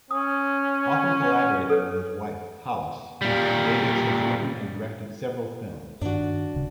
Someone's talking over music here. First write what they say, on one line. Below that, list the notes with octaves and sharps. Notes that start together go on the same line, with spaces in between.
Often collaborating with his wife, Hollace, Davids has written and directed several films.
C#4 D#6
A4 B4 C#5
A#2 G3
G2 D#3 D4 F#4
D#1 C#3